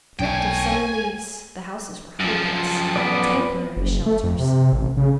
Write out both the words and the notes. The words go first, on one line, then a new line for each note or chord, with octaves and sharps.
Stripped of summer leaves the houses were hopeless--temporary shelters.
B1 E2 C#5 G5 G#5
F#2 F3
B3 D5
F#1
A3
F2
C3
A1
C#3